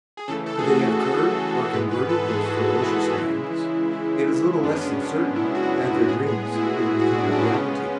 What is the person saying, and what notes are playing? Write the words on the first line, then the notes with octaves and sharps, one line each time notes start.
Could they have curbed or converted those ferocious bands, it is little less than certain that their dream would have become a reality.
G#4
C#3 E3 A3 A4
A4
G#4
F#4
A4
G#4
A4
G#2 E3 G#3 B3 B4
B4
A4
G#4
F#4
E4
C#3 E3 G#3
F#2 C#3 G#3 B3 D4
C#4
D4
C#4
E4
F#4
A2 G#3 B3 G#4
G#4
G#4
E4
F#4
E4
F#4
D4
D4
C#4
C#3 G#3 B3 C#4